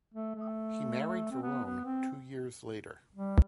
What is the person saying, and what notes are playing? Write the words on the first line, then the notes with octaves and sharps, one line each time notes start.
He married Verrone two years later.
A3
A3
C4
B3
B3
C4
G3